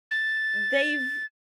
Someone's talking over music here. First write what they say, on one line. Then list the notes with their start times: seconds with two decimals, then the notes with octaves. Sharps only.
mm, they've
0.11 A6